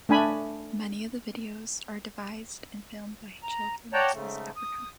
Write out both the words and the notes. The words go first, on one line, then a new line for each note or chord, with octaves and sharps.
Many of the videos are devised and filmed by children across Africa.
A3 D4 G#5 B5
A#5
C#5 D5 F#5 G5 A5 A#5
G#2 C#3 A3
D#6